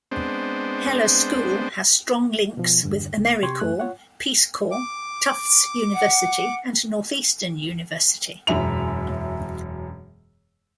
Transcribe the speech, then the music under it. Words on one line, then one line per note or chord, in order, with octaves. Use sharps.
Heller School has strong links with AmeriCorps, Peace Corps, Tufts University and Northeastern University.
G#3 B3 C4 D4 C5
B2 F3
E2 G2 D3
C2
C3 G4 C6 C#6 G#6
F#2 A3 F#6
F4 C#5 F#5
D6
F#5
E1 F#2 E5 F7